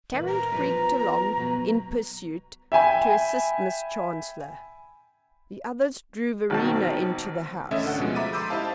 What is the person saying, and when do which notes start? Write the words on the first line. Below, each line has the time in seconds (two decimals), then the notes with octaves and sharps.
Tarrant creaked along, in pursuit, to assist Miss Chancellor; the others drew Verena into the house.
0.11 A#2 E3
0.28 A#5
0.52 E2 F3 B4
1.37 B2 F#3 B3
2.72 E5 G5 G#5 B5
6.50 G#1 B2 D#3 C4 A5
7.71 A1 A3 C#4 D#5 E5
7.84 D2 D4 A4 F#5
7.98 B2 F3 G#3
8.15 E5 A#5 B5 D6 A6 D#7
8.33 B5 C6 D6 E6 G6
8.50 E4 G4 C5 D#5 F5 A5